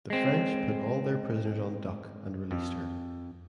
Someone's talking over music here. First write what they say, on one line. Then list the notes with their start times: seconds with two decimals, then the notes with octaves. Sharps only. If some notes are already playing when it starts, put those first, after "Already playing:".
The French put all their prisoners on "Duck" and released her.
0.10 G#3 C4
2.51 F2